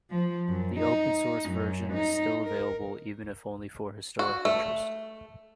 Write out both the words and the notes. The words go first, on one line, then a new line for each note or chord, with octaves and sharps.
The Open Source version is still available, even if only for historic interest.
F3
F#2
D#4
F#2
D#4
A#4
F#4
A3